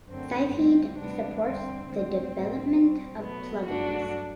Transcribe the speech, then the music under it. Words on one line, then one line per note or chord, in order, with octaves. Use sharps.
Sylpheed supports the development of plug-ins.
F#2 D3 F#3 A3 C4
D2 D3 G3 C4
D2 C3 E3 G3 B3 D4
E2 D3 G3 C4
D2 D3 G3 C4
A2 G3
B2 G3
B2 F#3 A3 B3
G2 F#3 A3 D4 F#4